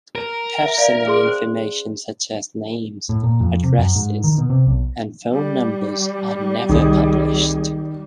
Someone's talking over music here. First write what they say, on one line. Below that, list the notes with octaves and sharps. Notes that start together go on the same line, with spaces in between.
Personal information such as names, addresses, and phone numbers are never published.
A#4
E5
D5 F5
G#4 C6
C#4 C5
A2
A#2
F2
C3
F#2
G#2
D#3
B2
C3
B1
G3
C2 D#3 G#4